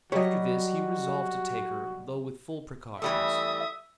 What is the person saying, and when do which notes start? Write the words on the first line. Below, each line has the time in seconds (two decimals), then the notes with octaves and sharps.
After this he resolved to take her, though with full precautions.
0.12 F#3 G3 F#4 C#5 D#5
3.02 E3 G3 A3 E5 D#6